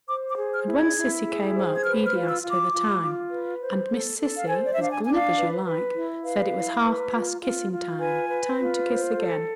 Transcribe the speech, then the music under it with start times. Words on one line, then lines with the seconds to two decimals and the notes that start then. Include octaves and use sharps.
And when Cissy came up Edy asked her the time and Miss Cissy, as glib as you like, said it was half past kissing time, time to kiss again.
0.08 C5 D6
0.31 D6
0.37 G#4
0.53 F6
0.67 E4
0.75 G#6
0.97 E4
1.26 G#4
1.55 C5
1.75 G#6
1.84 B4 F6
2.06 F6
2.14 F4
2.29 E6
2.43 F4
2.50 D6
2.72 F4
3.02 F4
3.30 B4
3.60 C5
3.90 A4
4.19 A4
4.37 F5
4.48 C5 G#5
4.64 D5
4.73 D4 E5
4.83 F5
4.92 G#5
5.04 D4 G#5
5.15 F5
5.37 B4
5.66 B4
5.94 E4
6.24 B4 F5
6.53 E4
6.83 B4
7.12 F4
7.41 F4
7.71 F4
7.99 B4 G#5
8.29 B4
8.59 F4
8.87 C5
9.17 A4